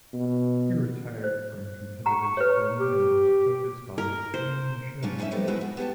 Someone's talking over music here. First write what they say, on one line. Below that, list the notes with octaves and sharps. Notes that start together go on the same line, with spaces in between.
He retired from competitive skating and has focused on performing in shows.
B2
C5
F#5 A#5 C#6
B4 C#5
G4
A#4
C5
F#3 A#3 C#4 D4 F4
A#3 C#4 D#4 D#5 E5
F3 G3 A3 B3 C4 D#4
F2 G#3 B3 E4 F#4 B4
F#4
B3 G4 G#4 A5